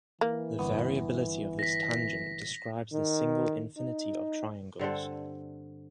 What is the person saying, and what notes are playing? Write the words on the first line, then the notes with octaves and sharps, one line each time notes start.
The variability of this tangent describes the "single infinity of triangles".
E3 A#3
G1 B3
A#6 B6
D#3
D#4
G2 D3 C4 A4